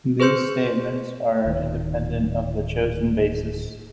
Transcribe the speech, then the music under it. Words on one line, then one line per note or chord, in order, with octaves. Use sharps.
These statements are independent of the chosen basis.
G#4 B4 C5 C6 G6 C#7
D1 D#3